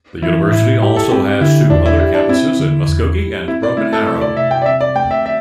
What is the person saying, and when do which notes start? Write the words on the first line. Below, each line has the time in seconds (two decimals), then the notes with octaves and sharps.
The university also has two other campuses in Muskogee and Broken Arrow.
0.22 E3 E4
0.52 A2 E4
0.82 E4 G4
0.97 A4
1.11 C4 G4
1.41 D3 E4
1.70 E2 D4
1.86 E4
2.00 E4 G4
2.15 D4
2.29 C4 E4
2.60 D3
2.88 E2
3.19 G4
3.48 C4 E4
3.63 D5
3.77 A3 E4
3.93 A4
4.07 C3 A4
4.21 D5
4.37 C3 E5
4.51 G5
4.62 D5
4.66 C4 E5
4.81 D5
4.95 A3 G5
5.11 E5
5.26 E5